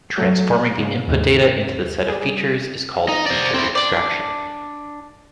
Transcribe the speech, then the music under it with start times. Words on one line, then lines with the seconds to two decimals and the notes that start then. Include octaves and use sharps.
Transforming the input data into the set of features is called feature extraction.
0.17 F#3 A3
0.78 G#2 C#3
1.08 D#2 G#2
2.08 G3 G#4
3.09 D#4
3.26 C5 D5
3.54 C4 E4
3.75 D4 D5